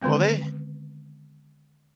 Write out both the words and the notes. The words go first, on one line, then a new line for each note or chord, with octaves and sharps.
Well, they
D3 D#3 G#3 B3 C4